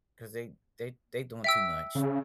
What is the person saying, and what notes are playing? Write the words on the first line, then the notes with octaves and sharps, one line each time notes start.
'cause they they they doing too much.
E5 G5 E6
C#3